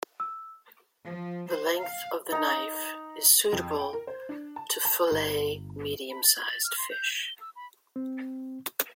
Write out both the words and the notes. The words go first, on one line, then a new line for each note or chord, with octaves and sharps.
The length of the knife is suitable to fillet medium-sized fish.
E6
F3
C5
F5
D#4 A#5
F2
G5
A#4
C5
D4
A5
A5
G1
B5
A6
G#6
A6
F6
C6
G6
G7
E6
B5
C4